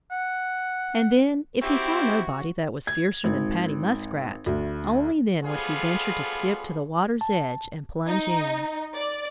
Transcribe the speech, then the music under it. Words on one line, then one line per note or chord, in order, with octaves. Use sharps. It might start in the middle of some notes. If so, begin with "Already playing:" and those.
And then--if he saw nobody that was fiercer than Paddy Muskrat--only then would he venture to skip to the water's edge and plunge in.
F#5
C4 E4 F#4 G4
G#6
G#1
D2
G3 A3 B3 C4 F4 G#4
A5
D#4
D5